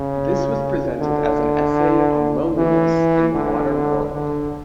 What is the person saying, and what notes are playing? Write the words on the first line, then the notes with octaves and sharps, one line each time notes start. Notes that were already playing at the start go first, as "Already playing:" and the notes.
This was presented as an essay on loneliness in the modern world.
Already playing: C#3
D3
E3
D3
D3